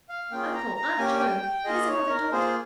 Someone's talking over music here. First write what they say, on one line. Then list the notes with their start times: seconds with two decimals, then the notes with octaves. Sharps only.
'Uncle, Aunt Jo, here's another daughter!
0.09 F5
0.31 A#3 C#4 F4 G#4 G5
0.53 A#5
0.76 A#5
0.98 A#3 C#4 G4 G#5
1.20 G5
1.42 G5
1.64 A#3 F4 G#4 D#5
1.88 C#5
2.09 A#4
2.31 A#3 F4 G#4 C5